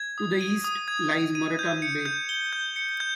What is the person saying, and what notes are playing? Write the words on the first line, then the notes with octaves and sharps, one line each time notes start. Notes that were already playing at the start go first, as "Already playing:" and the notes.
To the east lies Moreton Bay.
Already playing: G#6
D#6
D#7
D#6
G#6
D#6
D#7
G6
C#7
G6
G7
G6
C#7
G6